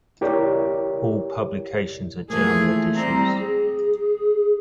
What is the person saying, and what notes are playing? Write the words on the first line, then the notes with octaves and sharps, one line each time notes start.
All publications are German editions.
E4 G4 A#4 C#5 D5
E3 F3 A3 A#3 G#4
G3 C4 A#5
G#4